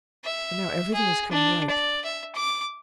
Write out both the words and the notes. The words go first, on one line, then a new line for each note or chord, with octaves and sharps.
And now everything has come right.
E5
G#4
D4
D5
E5
D6